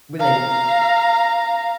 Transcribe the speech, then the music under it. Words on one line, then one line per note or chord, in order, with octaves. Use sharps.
when they
F5 A#5